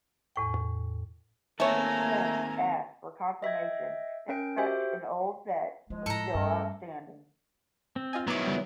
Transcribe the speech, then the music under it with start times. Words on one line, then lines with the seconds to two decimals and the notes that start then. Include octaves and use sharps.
King James asked for confirmation that such an old debt was still outstanding.
0.36 E2 A2 G5
1.60 D#3 A3 A#3 C4 C#5 G#5 A#5
3.42 D#5 E5 G5 G#6
4.29 C#4 A#4 G5 D7
4.57 F#4 G4 C5 E5 G5
5.90 F3 G#3 D#4
6.06 A2 A4 A#5
6.34 G2 A3 C#4 A#4
7.96 C4
8.13 F4 D#5 G#5
8.28 D#3 F#3 B3 E4 A#5 D6
8.46 C#3 G3